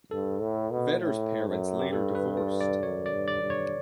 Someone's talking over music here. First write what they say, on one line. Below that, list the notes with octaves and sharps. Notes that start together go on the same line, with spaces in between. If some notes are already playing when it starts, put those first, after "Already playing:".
Vetter's parents later divorced.
G2 A4
A2
B2
A2
F#2
G4
G2 A4
B4
D5
D5
F#2 C#5
D5
G2
D5
G2
C#5